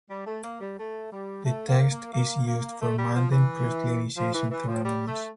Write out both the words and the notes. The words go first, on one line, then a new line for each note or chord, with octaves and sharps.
The text is used for Mandaean priestly initiation ceremonies.
G3
A3
A#3
G3
A3
G3
A3
A#3
A#3
A#3
A#3
A3
G3
F3
E3
F3
E3
E3
F3
G3
A3